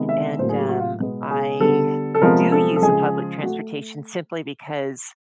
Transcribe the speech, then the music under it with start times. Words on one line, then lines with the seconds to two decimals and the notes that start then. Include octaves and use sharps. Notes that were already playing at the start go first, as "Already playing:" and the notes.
and, um, I do use a public transportation, simply because
Already playing: C3 D#3 G#3 B3
0.09 E5
0.39 A2 F#3 A#3 C5
0.49 G#4
0.59 G4
0.69 F#4
0.80 F4
1.00 B2 G#3 B3
1.31 G#4
1.60 D3 G3 B3 A4
2.15 A4
2.21 C3 F3 G#3 B3 A#4
2.52 A4
2.76 A4
2.82 C#3 F3 G#3 G#4
3.43 A3 F#4